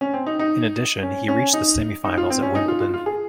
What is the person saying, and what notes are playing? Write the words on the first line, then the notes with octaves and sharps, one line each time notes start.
In addition, he reached the semifinals at Wimbledon.
C#4
C4
D#4
D#4
C#4
C#4
D#4
D#4
F4
C4
C#4
D#4
F4
F4
F4
G#4